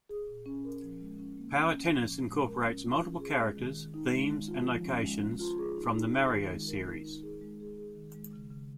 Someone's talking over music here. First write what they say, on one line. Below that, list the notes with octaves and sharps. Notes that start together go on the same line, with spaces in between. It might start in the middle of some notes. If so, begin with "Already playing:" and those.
"Power Tennis" incorporates multiple characters, themes, and locations from the "Mario" series.
G#4
A#2
C#4
A#4
F3
G#3
C#4
A#3
C#4
C#4
F3
A#2
G#3
A#4
C#4
F4
C#4
G#4
G#3
D#3
D#3
D#4
G#3
D#3
F4
F3
C#4
G#3
G#3
F4
G#4
D#4
D#4
G#4
D#3
G#3
A#4
D#4
D#4
G#4
G#3
G#4
G#4
D#3
G#3
C#3
C#3